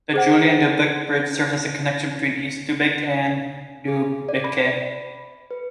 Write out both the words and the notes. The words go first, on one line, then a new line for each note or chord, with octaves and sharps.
The Julien Dubuque Bridge serves as the connection between East Dubuque and Dubuque.
G#4 C5 F#5
G#4
D5
B5
B4